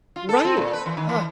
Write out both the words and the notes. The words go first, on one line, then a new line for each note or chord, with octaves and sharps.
Right. Ugh.
F4
A4
C4
A#2
B4
E3
D#3
E3